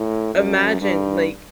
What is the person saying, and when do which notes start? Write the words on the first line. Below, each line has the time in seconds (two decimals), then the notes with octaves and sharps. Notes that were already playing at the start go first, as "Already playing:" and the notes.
imagine, like,
Already playing: A2
0.34 F#2
0.81 G2